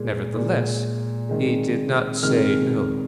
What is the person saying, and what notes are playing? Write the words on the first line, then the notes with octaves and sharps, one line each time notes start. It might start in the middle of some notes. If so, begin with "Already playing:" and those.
Nevertheless, he did not say "no."
Already playing: A#2 G#3
A#2 G#3
C3 D#3 G#3
C3 D#3 G#3 F6